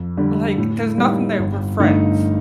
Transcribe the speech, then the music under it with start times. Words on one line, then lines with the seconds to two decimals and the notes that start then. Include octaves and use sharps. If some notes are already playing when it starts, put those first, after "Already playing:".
like, "There's nothing there, we're friends."
Already playing: F2
0.17 D3 G3
0.58 A2
0.98 G3 A#3 D#4
1.39 G1
1.79 G2 D3 A3 D#4